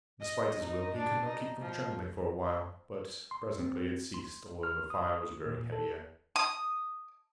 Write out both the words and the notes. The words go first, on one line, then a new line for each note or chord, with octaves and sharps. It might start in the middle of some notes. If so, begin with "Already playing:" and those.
Despite his will he could not keep from trembling for a while, but presently it ceased, although the fire was growing heavier.
D#5
D#4
D4
D#4
F3
C6
C4
C6
F6
D#6
A#2
A4
D#6